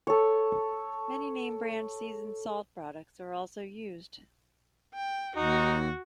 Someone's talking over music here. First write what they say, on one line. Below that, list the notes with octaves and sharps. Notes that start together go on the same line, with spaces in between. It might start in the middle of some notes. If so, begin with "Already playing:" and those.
Many name brand seasoned salt products are also used.
A4 C#5
G5
D#2 D#4 F#4